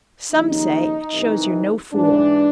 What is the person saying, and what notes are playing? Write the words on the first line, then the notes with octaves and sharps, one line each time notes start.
Some say "it shows you're no fool."
D#2 C#3 F3 D#4
C2 C3 E3
G#2 E3 D4